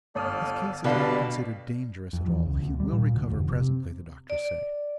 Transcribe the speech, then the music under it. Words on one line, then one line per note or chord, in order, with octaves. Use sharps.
His case is not considered dangerous at all; he will recover presently, the doctors say.
G1 A4 D5 D#6 F6
B2 D3 G3 G4 B4 F5 A5
F2
E2
C#2
D2
G3
A#2
D2
F1
C3
D5